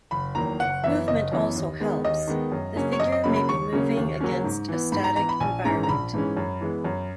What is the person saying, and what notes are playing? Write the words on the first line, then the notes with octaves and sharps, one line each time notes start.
Movement also helps; the figure may be moving against a static environment.
F#1 B5
E2 D#3 F#3 A#3 A#5
F#1 F#5
F#2 E3 B3 E5
F#1 D#5
F#2 E3 B3
D#2
D#3 G#3 B3
D#2 D#5
D#3 G#3 B3
F#2
C#3 F#3 A#3 C#4
C#5
F#2 D#5
D#5
C#3 F#3 A#3 C#4 B5
B5
D#2 C#6
C#3 F#3 A#3 C#4
D#2
C#3 F#3 A#3 C#4
G#2
E3 B3
G#2 B5
A#5
E3 B3 A#5
B5
A#1 G#5
G#2 E3 G#3 C#4 A#5
A#5
A#1 B5
G#2 E3 G#3 C#4
F#2
E3 G#3 B3
F#2